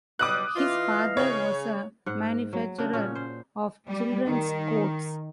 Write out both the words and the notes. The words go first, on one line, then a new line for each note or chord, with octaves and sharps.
His father was a manufacturer of children's coats.
B2 F#3 G3 D6 D#6 F#6
E3 F4 D#5 F5
C#3 C#5
G#2 F#5
F#3
C#3 D4
A#2 C#3 C#4
C5
G3
D#3